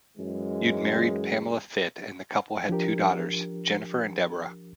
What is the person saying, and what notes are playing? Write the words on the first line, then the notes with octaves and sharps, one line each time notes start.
Youde married Pamela Fitt and the couple had two daughters, Jennifer and Deborah.
F#2 E3 G#3
F3 D4 G4 A#4